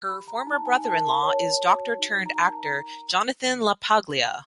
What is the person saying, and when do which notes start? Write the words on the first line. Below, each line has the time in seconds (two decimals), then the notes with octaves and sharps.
Her former brother in-law is doctor-turned-actor Jonathan LaPaglia.
0.09 G4 B5
0.28 A#5
0.46 D#4 A5
0.66 G#5
0.84 A#4 A5
1.23 C#5
1.61 F#4
1.99 D#4
2.26 A#5
2.37 A#4 A5
2.55 A#5